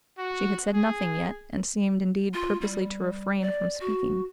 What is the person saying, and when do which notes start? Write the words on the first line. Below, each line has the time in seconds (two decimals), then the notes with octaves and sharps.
She had said nothing yet, and seemed, indeed, purposely to refrain from speaking.
0.18 F#4
0.74 G#4
2.34 F4
2.61 G3
3.41 D5
3.80 F#4